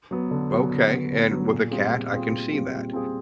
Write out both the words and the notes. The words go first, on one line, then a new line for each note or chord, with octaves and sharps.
Okay, and with a cat, I can see that.
F#3 B3
D3
F#3 B3
D3
F#3 B3
D3
F#3 B3
A#2
G3 C4 F4 G#4
A#2
G3 C4 F4 G#4
A#2
G3 C4 F4 G#4
A#2
G3 C4 F4 G#4